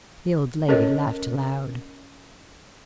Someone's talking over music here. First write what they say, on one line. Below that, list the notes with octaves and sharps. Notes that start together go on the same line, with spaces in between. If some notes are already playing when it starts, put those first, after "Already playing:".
The old lady laughed aloud.
C#4 A4 A#4 C#5 D#5